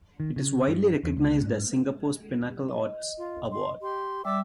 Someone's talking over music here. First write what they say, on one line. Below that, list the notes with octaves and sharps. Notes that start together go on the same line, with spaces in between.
It is widely recognized as Singapore's pinnacle arts award.
D#3
C#3
G2
E2
C#2
G#2
D#5
F4
C6
G4 C6
G3 D5 E5 D6 E6